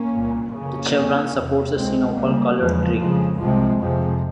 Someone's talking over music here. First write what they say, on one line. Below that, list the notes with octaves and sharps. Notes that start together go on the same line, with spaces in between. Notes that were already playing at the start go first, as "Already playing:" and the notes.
The chevron supports a sinople coloured tree.
Already playing: A#3 C#4
C2 A#2
F2 C#3 A#3 C#4
F2 C3
E2 C3
C#2 C3 G#3 C4
C#2 C#3 G3 A#3
E2 C#3 F3 G#3
F2 C#3 F3 G#3
C2 C3 F3 G#3
F2 C3 F3 G#3